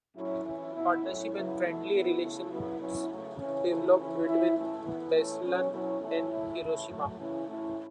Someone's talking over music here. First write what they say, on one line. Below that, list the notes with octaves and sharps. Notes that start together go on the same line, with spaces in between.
Partnership and friendly relations developed between Beslan and Hiroshima.
A2 F#3 C#4 E4
E3 C#4 E4
B2 B3 E4
A2 F#3 C#4 E4
C#3 F#3 B3 E4
B2 A3 E4
B2 B3 E4
C#3 A3 E4
C#3 F#3 B3 E4
B2 F#3 C#4 E4
C#3 F#3 A3
C#3 E3 C#4
C#3 E3 A3 E4
C#3 E3 C#4 E4
E3 C#4 E4
A2 E3 A3 C#4
E3 B3 E4
A2 E3 A3 C#4 E4
B2 F#3 C#4
B2 F#3 C#4 E4
A2 E3 A3 C#4 E4
A2 A3 E4
C#3 E3 A3 E4
A2 F#3 A3
C#3 E3 C#4 E4
A2 A3 C#4 E4